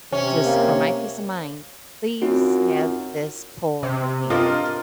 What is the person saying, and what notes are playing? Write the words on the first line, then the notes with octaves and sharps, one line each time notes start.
just for my peace of mind, please have this pole in your hand."
C3 C#4
A#3
F#2 C4 D#4 F4 F#4
C3
D4 F4 A#4 D#5